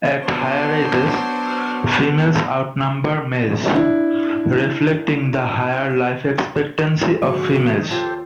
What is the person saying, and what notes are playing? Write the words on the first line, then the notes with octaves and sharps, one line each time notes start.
At higher ages, females outnumber males, reflecting the higher life expectancy of females.
F#3 B3 D4 C5 C#6 D6
D4 E4
G#2 D3 F3 G3 A#3 F#4 C#6
D#3
D#2 F4 G4 A4 C5 C#5